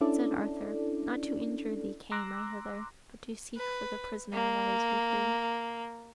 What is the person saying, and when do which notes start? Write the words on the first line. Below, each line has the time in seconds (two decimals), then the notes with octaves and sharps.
Said Arthur, "Not to injure thee came I hither, but to seek for the prisoner that is with thee."
0.01 C#4 D4 E4 A4 D5
2.11 A#5 C6 D6 E6 F#6 A#6
3.57 B4
4.33 A#3